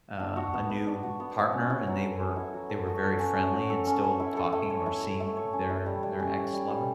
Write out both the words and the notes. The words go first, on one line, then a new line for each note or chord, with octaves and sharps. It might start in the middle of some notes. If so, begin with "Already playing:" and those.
uh, a new partner and they were they were very friendly and still talking or seeing their their ex-lover?
D4
F#4
B3
B3
D4
F#4
B3
B3
C#4
E4
F#3
A4
C#4
E4
F#3
A4
F#4
A4
C#4
C#4
F#4
A4
C#4
C#4
E4
A4
A3
C#5
E4
A4
A3
C#5
C#4
E4
G3
G3
C#4
E4
G3
G3